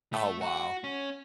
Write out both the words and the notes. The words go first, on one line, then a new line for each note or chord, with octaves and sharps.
Oh, wow.
A3
F#4
C#4